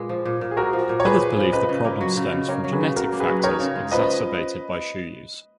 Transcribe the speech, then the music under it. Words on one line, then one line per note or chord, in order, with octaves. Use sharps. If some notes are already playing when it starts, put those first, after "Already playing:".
Others believe the problem stems from genetic factors, exacerbated by shoe use.
Already playing: A#2 G#3 G#4 B4
F3
A#2
A#2
G#4
G#3 F#4 A#4
F3
A#2
C#5
A#2 G#4 B4
G#3
F3
C#3 B4 D#5
C#3
A#3
F#3
C#3
C#3
A#3 A#4 C#5
F#3
G#4 B4
C#3
C#3 F#4 A#4
A#3
G#4 B4
F#3
B4
D#4 A#4 C#5
C#3
G#3
F3 B4 D#5